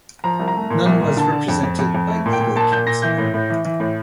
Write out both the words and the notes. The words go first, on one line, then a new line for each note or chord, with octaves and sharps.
None was represented by legal counsel.
F3 A#5
C2
A#5
A3
A#2
C2
A#2
D3 A5
D3
F2
F2
F2
F2
A3
A#2
G5
A#2
A#2 A5
A#2 G6
A#2 A#6
E3 G6
A2
A2
E3
E3
A2